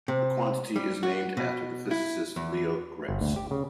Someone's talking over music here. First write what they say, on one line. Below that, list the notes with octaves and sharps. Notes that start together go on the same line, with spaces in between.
The quantity is named after the physicist Leo Graetz.
C3
G3
F#4
B2
E4
E2
G1
D2
G4
C#3